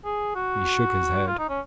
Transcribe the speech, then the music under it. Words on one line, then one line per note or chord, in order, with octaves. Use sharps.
He shook his head.
G#4
F#4
F4
D#4
C#4